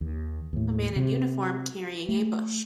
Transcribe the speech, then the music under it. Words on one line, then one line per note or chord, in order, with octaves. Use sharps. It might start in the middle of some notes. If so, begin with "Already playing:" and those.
A man in uniform carrying a bush.
D#2
D#2 A2
C3
A3